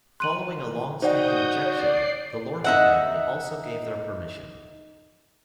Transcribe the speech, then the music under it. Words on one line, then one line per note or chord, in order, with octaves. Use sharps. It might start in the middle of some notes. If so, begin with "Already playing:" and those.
Following a long-standing objection, the Lorca family also gave their permission.
C6 F#6 D#7 F#7
D#4 F#4 C5 D5 F#5 G5 D#6 G6
C#5 D5 C7
D#4 E5 F#5